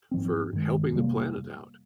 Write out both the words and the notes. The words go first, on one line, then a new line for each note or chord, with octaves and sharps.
for helping the planet out.
G#2 F3 C4
G2 D#3 G#3
F2 C3 G3 A#3